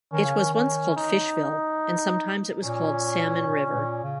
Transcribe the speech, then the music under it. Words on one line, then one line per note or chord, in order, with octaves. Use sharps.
It was once called "Fishville" and sometimes it was called "Salmon River".
D#3 C#4
C#3
D#3
C#4
D#4
A#2 C#4
A#2
A#2
C#3